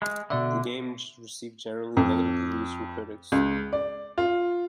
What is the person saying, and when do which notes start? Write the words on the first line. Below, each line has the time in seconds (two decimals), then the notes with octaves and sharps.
The game received generally negative reviews from critics.
0.02 G#3
0.30 B2 D3 D5 E5
1.97 F2
3.32 C#2
3.73 D5
4.18 F4